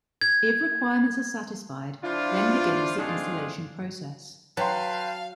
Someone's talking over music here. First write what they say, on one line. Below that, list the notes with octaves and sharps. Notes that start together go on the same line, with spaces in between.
If requirements are satisfied, then begins the installation process.
G#6
F3 D4 E4 F4
A3 C4 D4 D#4 F4 G#4
F#3 B4 F5 G5 A5 C6